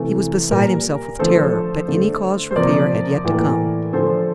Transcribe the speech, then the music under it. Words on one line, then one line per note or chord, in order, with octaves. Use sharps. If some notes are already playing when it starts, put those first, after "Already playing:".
He was beside himself with terror, but any cause for fear had yet to come.
Already playing: C3 E3 A3
A#2 G3 A#3 A#4
D3 F3 A3 A4 C5
D3 A3
C5
C3 F3 A#3 A#4 D5
A2 E3 A#3
D3 F3 A3 A4 C5